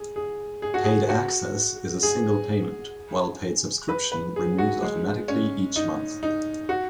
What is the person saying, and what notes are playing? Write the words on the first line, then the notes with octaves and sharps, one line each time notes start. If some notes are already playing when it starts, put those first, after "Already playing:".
Paid Access is a single payment, while Paid Subscription renews automatically each month.
Already playing: G#4
G#4
G#4
F#4
G#4
F#4
G#4
B4
B4
G#4
F#4
G#3
C#4
D#4
D#4
F#4